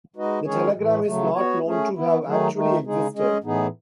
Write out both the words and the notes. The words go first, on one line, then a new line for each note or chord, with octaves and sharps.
The telegram is not known to have actually existed.
G#3 D#4 F#4 B4 D#5
D#3 G#3 C#4 G#4 C#5
A2 E3 A3
C#3 F#3 A3
B3 F#4 C#5
A3 C#4 G#4
E3 B3 E4
D#3 F#3 A3 D#4 G#4
D#3 A3 D#4
C#3 G#3 D#4 G#4
G#3 C#4 G#4 D#5
A2 E3 B3 D#4 G#4